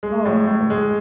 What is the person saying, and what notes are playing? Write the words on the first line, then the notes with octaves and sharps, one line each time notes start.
Oh, cool.
G#3
A2
A2
G#3